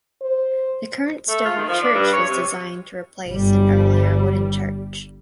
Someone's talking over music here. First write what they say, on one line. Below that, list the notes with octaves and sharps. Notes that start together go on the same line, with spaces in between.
The current stone church was designed to replace an earlier wooden church.
C5
A3
F4
D#3
F3
D4
G2
C#5
C3
G1 G3